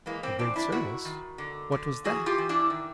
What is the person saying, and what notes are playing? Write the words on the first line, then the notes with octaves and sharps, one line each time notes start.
"A great service--what was that?"
E3 G#3 A#3
A#3 C4
E3 C4 D4
D4 E4
D#3 E4 F#4
D#3
D3
D3
E3 F#4 G#4
F4 G4
E3
D4 E4
D#3